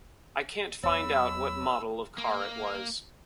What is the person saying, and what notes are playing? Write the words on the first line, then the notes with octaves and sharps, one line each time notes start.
I can't find out what model of car it was.
E2 F#3 C#5 B5 E6
A#3